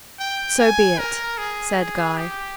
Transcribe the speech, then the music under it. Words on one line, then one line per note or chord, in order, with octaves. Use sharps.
"So be it," said Guy.
G5
G#5
A#4
G#4
G4